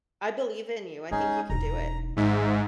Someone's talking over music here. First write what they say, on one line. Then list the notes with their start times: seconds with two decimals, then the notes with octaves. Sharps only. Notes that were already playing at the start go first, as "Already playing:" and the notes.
I believe in you. I think you can do it.
1.11 G#3 C#4 D#4 G#4
1.50 E1 D#4 A#5
2.17 G#1 G#2 E5